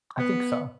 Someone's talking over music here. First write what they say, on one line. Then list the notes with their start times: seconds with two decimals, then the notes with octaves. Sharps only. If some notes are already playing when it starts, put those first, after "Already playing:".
I think so.
0.18 B3